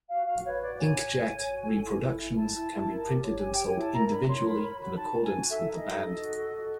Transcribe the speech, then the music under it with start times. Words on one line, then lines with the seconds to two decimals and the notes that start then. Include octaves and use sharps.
Inkjet reproductions can be printed and sold individually in accordance with demand.
0.09 F#4 F5
0.27 F#4 F5
0.44 B4 C#5
0.61 F#4 D5
0.78 C#5 G#5
0.96 C#5
1.13 C#5
1.31 C#5
1.49 F#4
1.66 A4
1.83 E4
2.01 E4
2.18 E4
2.35 E4 A5
2.53 E4
2.70 E4
2.88 A#4
3.05 G4
3.22 C#5
3.40 G4 G#5
3.53 G5
3.58 C#5
3.66 G#5
3.74 E4
3.80 A5
3.92 A#4 A#5
4.10 D4 B5
4.27 C#5 C6
4.44 A#4 B5
4.61 C#5 B5
4.79 F#4 B5
4.96 D#4 A5
5.14 D#4
5.22 G#5
5.32 F#4
5.48 A4 E5
5.66 D#4
5.75 D#5
5.83 D#4
6.01 A4
6.18 F#4
6.36 A4
6.53 F#4